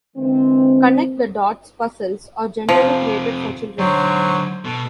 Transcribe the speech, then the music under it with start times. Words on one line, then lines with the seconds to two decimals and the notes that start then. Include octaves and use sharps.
Connect the dots puzzles are generally created for children.
0.17 D3 E3 G#3 A#3 C4
2.69 F2 C3 F3
3.79 G#2 D3 F#3 C5 C#5
4.65 B2 A4